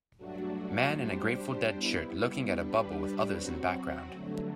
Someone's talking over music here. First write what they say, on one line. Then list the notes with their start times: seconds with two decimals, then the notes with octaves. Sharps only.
Man in a Grateful Dead shirt looking at a bubble with others in background.
0.17 G2 F#3 A3 D4 F#4
0.96 G3 D4 G4 C5
1.75 G3 B3 E4
2.54 G3 D4 G4 B4
3.33 F#3 C4 F#4
4.12 G2 D3 F#3 A3